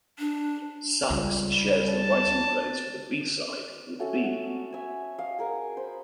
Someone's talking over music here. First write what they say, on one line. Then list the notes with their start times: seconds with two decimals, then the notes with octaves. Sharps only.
Sachs shares the writing credits for the B side with B.
0.19 D4
1.10 C#2 G3
1.89 A5
3.99 A3 C#4 F#4 A4
4.24 F#4
4.73 E5 G#5
5.19 D#5 F5
5.39 G#4 A#4 F#5 G#5
5.77 C5 B5